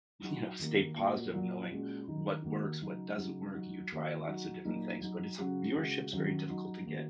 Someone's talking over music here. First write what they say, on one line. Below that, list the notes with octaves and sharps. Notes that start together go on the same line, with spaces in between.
you know, stay positive knowing what works, what doesn't work. You try a lots of different things, but it's viewership's very difficult to get.
F#3 D#4 F#4
D#3 A#3 F#4
A#2 A#3 F#4
A#2 F#3 A#3
A#2 G#3 C#4 F#4
D#3 F#3 D#4
D#3 A#3 F#4
C#3 F#3 D#4
C#3 F#3 D#4 F#4
F#3 D#4 F#4
D#3 A#3 F#4
F#3 D#4 F#4
A#2 F#3 A#3 D#4 F#4
F#3 D#4 F#4
C#3 F#3 C#4 F#4
C#3 G#3 F#4
D#3 F#3 C#4 F#4
F#3 D#4 F#4
D#3 A#3 F#4